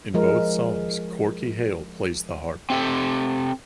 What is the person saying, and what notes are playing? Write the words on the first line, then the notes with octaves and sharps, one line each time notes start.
In both songs Corky Hale plays the Harp.
F3 G#3 A#4
C4 G4 A4